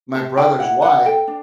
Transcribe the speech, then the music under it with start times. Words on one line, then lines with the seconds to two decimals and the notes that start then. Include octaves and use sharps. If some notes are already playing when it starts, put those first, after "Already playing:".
my brother's wife,
0.15 G4 A5
0.37 E4 G5
0.60 E4 F#5
0.82 B4 F#5
1.05 A4 G5
1.28 D4